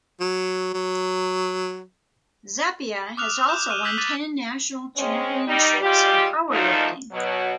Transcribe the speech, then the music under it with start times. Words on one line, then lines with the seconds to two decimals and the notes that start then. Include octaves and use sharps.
Zappia has also won ten National Championships in powerlifting.
0.21 F#3
0.74 F#3
3.17 D6 D#6 F6 F#6 F7
3.49 G6 E7
3.69 F6 F#6 D#7 E7 G7
3.84 E6 F#6 G6 B6 F#7
3.98 D6 F#6 A6 B6 D#7
4.95 G#3 C4 C#4
5.46 G3 D#4
5.81 G3 G#3 F4 G4
6.49 D2 A#2 F3 A3 D#4
7.11 B2 F#3